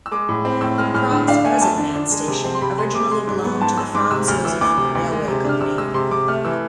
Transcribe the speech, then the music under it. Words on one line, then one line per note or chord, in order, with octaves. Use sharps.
Prague's present main station originally belonged to the Franz Josef Railway company.
E6
G#3 D6
A2
C4
A2 E6
G#3 F6
A2 F6
D3 E6
D4 F5
A3 G#5
F2 A5
D3
D4
G#3
C3
C4
C6
C3 B5
G#3 C6
C3 D6
G#3 C6
G#2
B3
G#2 A5
G#3 E6
G#2 D6
C3 E6
D2 F6
E3 E6
D2 D6
C3
D2
G#3
C3
D4 F6
C3 E6
G#3 E6
C3 C6
C3 D6
A3 F6
E3 E6